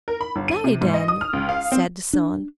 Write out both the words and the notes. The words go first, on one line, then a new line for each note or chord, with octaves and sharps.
'Die, then,' said the son.
A#4
B5
G1
D#7
C3
G#2
D#5
D#6
F6
C#2
F5
C4
D4